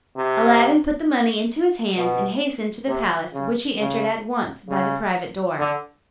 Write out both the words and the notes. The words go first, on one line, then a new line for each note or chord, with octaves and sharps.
Aladdin put the money into his hand, and hastened to the palace, which he entered at once by the private door.
C3
B2
C3
C#3
C#3
C#3
D3